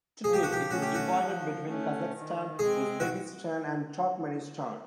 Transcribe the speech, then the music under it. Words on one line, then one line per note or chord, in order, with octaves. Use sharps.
Today it is divided between Kazakhstan, Uzbekistan and Turkmenistan.
F3 G#4
G4
F#4
G4
A3 C#4 F#4
G4
F#4
F3
A3 C#4
D#3
G#3 C4 G#4
F#4